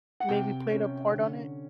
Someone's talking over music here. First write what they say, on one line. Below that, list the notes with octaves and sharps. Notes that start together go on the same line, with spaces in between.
maybe played a part on it.
F#5
C3 G5
C#4
D3